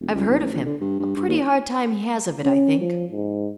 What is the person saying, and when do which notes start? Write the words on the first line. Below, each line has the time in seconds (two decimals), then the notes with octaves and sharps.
"I've heard of him; a pretty hard time he has of it, I think."
0.01 E1
0.14 C#2
0.28 B1
0.41 A1
0.53 A#1
0.66 D3
0.81 G2
1.00 G2
1.16 G2
1.28 D#2
2.44 C#4
2.80 F3
3.11 G#2